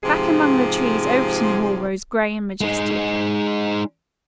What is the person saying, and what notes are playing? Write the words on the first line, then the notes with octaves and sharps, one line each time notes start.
Back among the trees Overton Hall rose gray and majestic.
G#2 C3 F3 G4 G#4
G#3 D#4